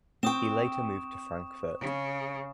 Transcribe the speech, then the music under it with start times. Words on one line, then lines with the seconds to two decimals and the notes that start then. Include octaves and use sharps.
He later moved to Frankfurt.
0.23 C4 G5 C#6 D#6 E7
1.80 C#3